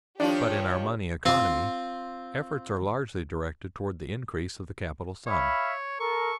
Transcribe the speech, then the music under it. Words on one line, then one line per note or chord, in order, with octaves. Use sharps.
But, in our money economy, efforts are largely directed toward the increase of the capital sum.
D#3 F3 D4 F4 G4 C#5
C4 F4 C5
C#5 E5 F5 B5
A4 A#4 C#6